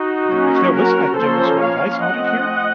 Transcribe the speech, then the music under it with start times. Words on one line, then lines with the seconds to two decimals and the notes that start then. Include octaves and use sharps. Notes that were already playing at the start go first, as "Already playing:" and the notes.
mean, if they'll listen, I can give them some advice on it here.
Already playing: D#4 F#4
0.29 F#3 A#3 C#4
0.73 F#4 A#4
1.17 F3 A#3 C#4 A4 C5
1.61 C#5 F5
2.05 F3 A3 C4 D#5 F#5